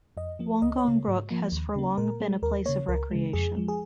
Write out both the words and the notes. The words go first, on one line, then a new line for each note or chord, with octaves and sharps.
Wongong Brook has for long been a place of recreation.
F2 D#5
F3 A#3
C#2 D#5
C#5
C#3 A#3
G#2
F3 A#3
D#2
C#3 A#3
A#2 A#4
G#3
D#2 A#4
C#3 A#3 C#5
C#2 A#4
C#3 G#3
F2 G#4
F3 G#3
G#4